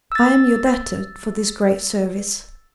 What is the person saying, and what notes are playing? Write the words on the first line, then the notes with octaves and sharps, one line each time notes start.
'I am your debtor for this great service.'
E6 A6